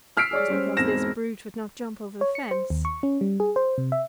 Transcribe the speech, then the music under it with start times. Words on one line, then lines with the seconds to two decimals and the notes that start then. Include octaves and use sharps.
"Just because this brute would not jump over the fence."
0.17 E6 F6 B6 C7 D7
0.31 G#4 C#5 D5
0.48 G3 C#4 C5
0.77 E1 G#2 C4 A#6 E7
2.21 C#5
2.35 C#7
2.51 C5
2.70 D#2
2.85 C#6
3.03 C#4
3.21 G3
3.40 G#4
3.56 C5
3.78 C3
3.92 E5